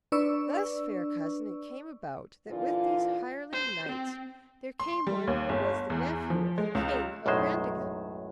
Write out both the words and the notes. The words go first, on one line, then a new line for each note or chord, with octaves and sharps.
Thus, fair cousin, it came about, that with these hireling knights there came one who was the nephew of the king of Brandigan.
D4 B4 D5 C#6 E6
A#2 D3 E3 F4
C5
C4
C6
G3
D#2
G1
E2
F3
G#3
C#2
B1 F#2 A2 D#3 G#3 C5